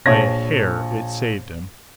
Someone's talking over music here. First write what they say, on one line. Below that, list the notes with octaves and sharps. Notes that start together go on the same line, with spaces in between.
By a hair it saved him.
A#1 C#5 A5 G#6 A#6